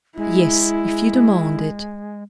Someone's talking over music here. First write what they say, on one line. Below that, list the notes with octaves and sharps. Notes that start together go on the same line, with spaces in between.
"Yes, if you demand it."
G#3 E4